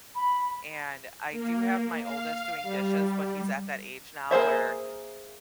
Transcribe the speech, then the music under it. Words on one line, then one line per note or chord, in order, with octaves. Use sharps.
and I do have my oldest doing dishes, but he's at that age now where,
B5
A#3
F5
G3
A#3 G#4 C5 E5